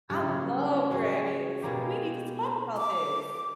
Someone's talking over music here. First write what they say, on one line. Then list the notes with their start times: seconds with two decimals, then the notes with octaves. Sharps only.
I love dragons. We need to talk about this.
0.10 C#3 G3 G4
0.28 F#3
0.91 G#3 F#4 G#4
1.62 B2 G#3 A#3 G4
2.77 D6